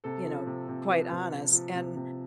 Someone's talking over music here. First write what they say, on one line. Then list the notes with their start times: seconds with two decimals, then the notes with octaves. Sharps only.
you know, quite honest and
0.04 C3 A4
0.26 F3
0.46 C3
0.68 C3
0.89 F3 B4
1.11 C3
1.32 F3
1.53 F3
1.75 C3
1.96 C3